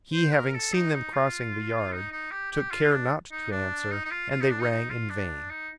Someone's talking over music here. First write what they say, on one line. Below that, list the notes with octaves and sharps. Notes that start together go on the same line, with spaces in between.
He, having seen them crossing the yard, took care not to answer, and they rang in vain.
C5
A#4
A4
D#4
D#4
F4
D#4
D#4
G4
G4
F4
D4
D#4
D4
D#4
D#4
F4
F4
D#4
D4
D#4
D#4
F4
D4
D#4